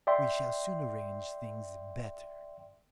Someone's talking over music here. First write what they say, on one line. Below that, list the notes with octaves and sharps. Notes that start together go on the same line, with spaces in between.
We shall soon arrange things better.
D5 E5 G5 C6